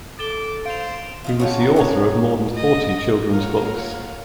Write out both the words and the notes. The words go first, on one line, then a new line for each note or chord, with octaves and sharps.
He was the author of more than forty children's books.
A4 D6 A6 E7 G7
C5 F5 D7 F7
F4 F#4 D#5
C#3 B3 F4 F#4 A4 C#5
D4 A#5
D#3 C#4 F#4 C#5
D#5
A#3 F4 A#4 C#5 F5 F#5